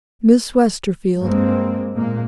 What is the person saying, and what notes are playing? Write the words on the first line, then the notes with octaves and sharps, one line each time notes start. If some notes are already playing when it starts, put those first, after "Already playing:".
Miss Westerfield.
G2 G#3 A#3 C4
A#2 G#3 A#3